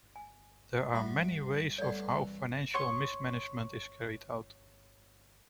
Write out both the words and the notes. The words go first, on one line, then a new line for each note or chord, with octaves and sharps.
There are many ways of how financial mismanagement is carried out.
G#5
G3 F4 F#4 A4 E5
G2 A3 B3 C#5 D5
C2 E3
C#5 C6 C#6 D#6